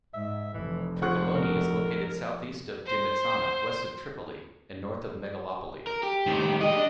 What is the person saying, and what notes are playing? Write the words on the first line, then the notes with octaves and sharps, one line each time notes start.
Trikolonoi is located southeast of Dimitsana, west of Tripoli and north of Megalopoli.
G#2 E5
F1 E3
F3 F#5 C#6 F#6
A#4
C5
A#4
G4
A2 D#3
G#3 G4 D#5
D4